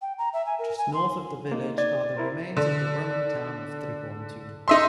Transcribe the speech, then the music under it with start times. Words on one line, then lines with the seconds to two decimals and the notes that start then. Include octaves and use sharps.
Just north of the village are the remains of the Roman town of Tripontium.
0.02 G5
0.18 A#5
0.33 E5
0.46 G#5
0.59 A#4
0.78 G#5
0.94 C6
1.52 A#3 D#4
1.78 D5 G#6
2.17 E4 A#4 C5
2.57 D3
4.68 D#4 E5 C6